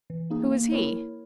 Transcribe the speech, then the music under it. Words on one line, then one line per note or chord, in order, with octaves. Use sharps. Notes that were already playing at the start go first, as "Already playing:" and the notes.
"Who is he?"
E3
A#3 D#4 G#4
A#3
E4 A#4 C#5